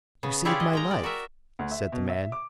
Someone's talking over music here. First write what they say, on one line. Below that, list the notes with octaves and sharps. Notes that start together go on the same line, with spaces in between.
"You saved my life," said the man.
C#3 B3
E4 F4 G4 G#4 C#5 D5
D#5
G#3 G5 A#5
D5
F#4 A#4 E5
D2
E5
B2
E5
D6